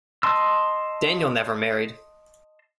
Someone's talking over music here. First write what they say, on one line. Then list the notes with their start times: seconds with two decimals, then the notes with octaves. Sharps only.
Daniell never married.
0.23 D#5 A5 C6 E6